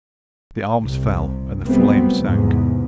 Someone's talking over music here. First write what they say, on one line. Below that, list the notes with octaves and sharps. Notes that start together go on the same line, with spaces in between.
The arms fell and the flame sank.
C2 C3
F#3 G3 A3 B3 C4
E2 G#2 C3